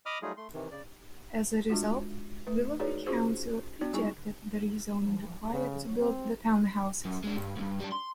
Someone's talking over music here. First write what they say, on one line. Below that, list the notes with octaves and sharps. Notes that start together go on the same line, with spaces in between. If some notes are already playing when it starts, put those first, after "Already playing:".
As a result, Willoughby Council rejected the rezoning required to build the townhouses.
D#5 B5 D6 D#6 F6
F#3 G3 A3 D#4 F4 G#4
A3 C6
C3 D#3 E3
C#3 D5
G#3 D4 F4 F#4
A3 B4
D#4 F#4 G#4 B4 C#5 D5
C#4 F4 F#4 G#4 C5
B3 D4 F#4 D5
G3 D#4 E4 G#4 G#5 C#6
C#3
C4
F#2
G#3 D4
G2
D2 G2
G3 D4
C6